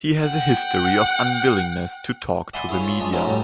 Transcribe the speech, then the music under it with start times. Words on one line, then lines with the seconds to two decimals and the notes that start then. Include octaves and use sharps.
He has a history of unwillingness to talk to the media.
0.23 F#5 G5
2.54 D5 E5 F#5 G#5 B5 C6
2.69 E4 G#4 C#5 F5
2.85 F4 C#5
3.01 G#3 D4
3.13 F3 F#3 C#4 E4
3.26 A2 G3